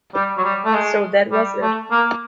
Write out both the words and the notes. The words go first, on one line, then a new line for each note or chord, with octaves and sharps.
So that was it.
G3
F#3
G3
A3
G#3
G3
A3
A#3